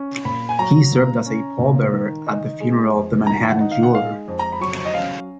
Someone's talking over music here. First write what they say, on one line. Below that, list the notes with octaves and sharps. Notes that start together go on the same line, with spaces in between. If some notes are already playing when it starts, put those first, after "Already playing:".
He served as a pall-bearer at the funeral of the Manhattan jeweler.
Already playing: C#4
A#2 B5
G#5
F#3 A#5
A#2
C#4
A#2
D#3
D#4
G#3
F2
D#3 A#5
F#5
D#4
F5
F#5
G#3 F5
F2
A#5
B5
F#3 C#6
D#5
C#4 F5